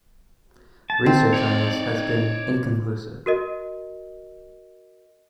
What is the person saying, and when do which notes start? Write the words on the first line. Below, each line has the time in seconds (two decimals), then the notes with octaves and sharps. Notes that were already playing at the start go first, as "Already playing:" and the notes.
Research on this has been inconclusive.
0.90 A5
1.06 C4 D#4
1.34 C#5 D5
3.26 F#4 A#4 D#5